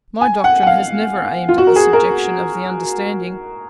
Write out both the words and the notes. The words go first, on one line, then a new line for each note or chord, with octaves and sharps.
My doctrine has never aimed at the subjection of the understanding.
G#5
F#5
F#5
F5
F4
F#4
A#4
G#4
A#4